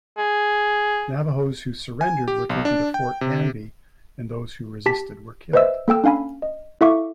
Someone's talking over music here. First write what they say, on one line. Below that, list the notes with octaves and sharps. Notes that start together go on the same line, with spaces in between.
Navajos who surrendered were taken to Fort Canby and those who resisted were killed.
G#4
G#5
G4
B1
D4
G5
C3
G4 A5 B6
B4 C5 D#5 E5 E6
A#3 A4 G5 E6
C#4 D4 F5 G#5 B5
D#5
E4 A4 E5 F5 C#6 D6